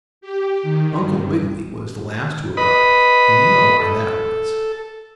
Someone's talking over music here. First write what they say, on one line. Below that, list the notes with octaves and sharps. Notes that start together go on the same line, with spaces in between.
Uncle Wiggily was the last to arrive, and you know why that was.
G4
D#3
G2
B4 D#5 B5
A4